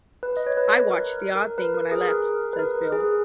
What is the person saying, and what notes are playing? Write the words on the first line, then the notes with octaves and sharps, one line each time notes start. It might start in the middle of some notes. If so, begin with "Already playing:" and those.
"I watched the odd thing when I left," says Bill.
B4
D#5
C#5
B4
A#4
A#4
B4
A#4
G#4
A#4
B4
A#4
G#4